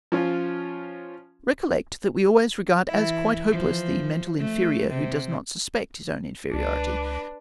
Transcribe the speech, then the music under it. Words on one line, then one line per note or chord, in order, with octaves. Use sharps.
Recollect that we always regard as quite hopeless the mental inferior who does not suspect his own inferiority.
F3 C#4 F4
E3 E4
E3 F3
A3
C3
C#2 D4 B4